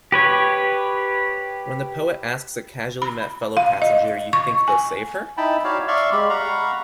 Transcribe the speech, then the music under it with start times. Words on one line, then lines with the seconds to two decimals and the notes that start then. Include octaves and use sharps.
When the poet asks a casually-met fellow-passenger, You think they'll save her?
0.12 G4 B4 C#5
3.02 B5
3.57 F5
3.82 D#5
4.33 C#6
4.68 G#5
5.37 D#4 E4 G5 A5 B5
5.64 F#4 C#5 D5 F5 A5
5.88 D5 E5 F5 C6 C#6
6.12 G#3 G4 B5
6.30 F5 F#5 A#5 B5 C#6